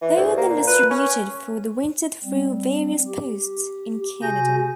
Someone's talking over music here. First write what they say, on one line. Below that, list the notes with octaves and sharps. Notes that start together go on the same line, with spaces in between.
They were then distributed for the winter through various posts in Canada.
E3
D2
A#3
A#2
B4
C#4
G3 C4
G4
C3 F#4 G#4 G#5 G6 A#6